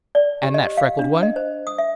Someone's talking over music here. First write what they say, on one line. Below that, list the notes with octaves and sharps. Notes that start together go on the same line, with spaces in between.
"And that freckled one?"
D5
G4
D#5
F5
D4
D#5
C5
D#6
E5